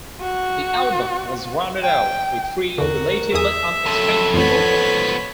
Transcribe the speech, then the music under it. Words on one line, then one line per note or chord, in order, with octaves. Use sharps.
The album was rounded out with three relatively unexpected vocals.
F#4
G5
E2 D3 F#4 A#4
E2 G#4 E5 D#6
F2 F#3 A4
A1 F2 F3 B3 C#5 B5